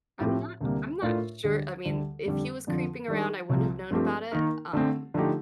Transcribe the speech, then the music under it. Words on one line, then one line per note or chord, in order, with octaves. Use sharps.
I'm not I'm not sure, I mean, if he was creeping around, I wouldn't have known about it, um,
A2 F3 C4 G4
D2 C3 G3 A#3
A2 A3 D4 F4 A#4
D2 D3 G3
D2 D3 G3
F2 D3 G3
F2 D3 F3
D#3 G3 D4
C2 C3 F3
G2 F3 A3 C4 G4
D#3 A#3 D#4 A#4
D3 A3 C4
D3 F3 A3 D#4 G4